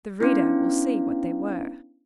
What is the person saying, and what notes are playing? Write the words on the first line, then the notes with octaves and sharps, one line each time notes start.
The reader will see what they were.
B3 C#4 D4 E4